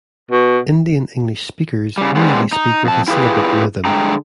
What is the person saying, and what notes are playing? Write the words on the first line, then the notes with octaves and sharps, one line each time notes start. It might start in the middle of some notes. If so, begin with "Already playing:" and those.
Indian-English speakers usually speak with a syllabic rhythm.
B2
C#3 G3
C3 D#3 G3 G#3 B3
D#4
F2 A5
E4 F4 G4 G#4 B4
G2 D3 G#3 G#4 G5 A#5